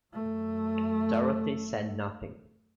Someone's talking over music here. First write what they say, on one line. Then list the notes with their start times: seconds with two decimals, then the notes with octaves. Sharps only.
Dorothy said nothing.
0.13 F#2 A3